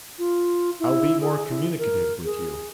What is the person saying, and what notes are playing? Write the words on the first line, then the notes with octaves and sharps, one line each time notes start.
I'll be more communicative with you.
F4
E4
G#4
E4
A#4
G#4